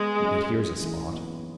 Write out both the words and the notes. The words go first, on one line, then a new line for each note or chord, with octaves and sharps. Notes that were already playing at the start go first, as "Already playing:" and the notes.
Yet here's a spot.
Already playing: G#3 B3
F#2
G#3
E3
B3